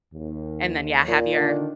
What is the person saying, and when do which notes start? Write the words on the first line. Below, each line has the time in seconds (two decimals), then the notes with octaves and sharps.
and then, yeah, have your
0.14 D#2
1.08 A#2
1.38 D3 D#3 D4